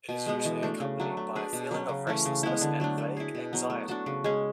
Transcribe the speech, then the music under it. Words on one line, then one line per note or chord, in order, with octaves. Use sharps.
It is usually accompanied by a feeling of restlessness and vague anxiety.
B2
G#3 B3
E3
A3 D4
C#3
F#3 A3 D4
A3
D4 G#4 B4
B2
F#3 C#4
C#3
E3 A3 C#4
C#3
G#3 B3 E4
D3
F#3 A3 D4
A3
E4 G#4
B2
F#3 B3
A3
D4 F#4 A4
C#3
G#3 C#4 G#4